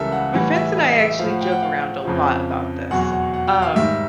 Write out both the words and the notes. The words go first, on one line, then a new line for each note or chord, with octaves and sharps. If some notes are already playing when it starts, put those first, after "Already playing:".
my friends and I actually joke around a lot about this, um,
Already playing: C#2 C#3 E3 G3 A4 A#4 E5
F#5
A2 E3 G3 F#5
E5
D#5
E5
A2 F3 F5
F#5
G5
F#5
F5
F2 C#3 F3
E2 B2 F#3 F#5
F#5
F#5
F#5
G5
F5
G#2 D#3 G3 E5